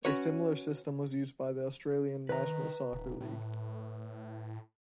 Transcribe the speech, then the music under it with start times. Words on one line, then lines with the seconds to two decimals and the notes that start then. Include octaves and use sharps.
A similar system was used by the Australian National Soccer League.
0.05 C#4 F#4 B4 C#5
2.29 D#3 B4 A#5
2.93 D#1
3.20 A2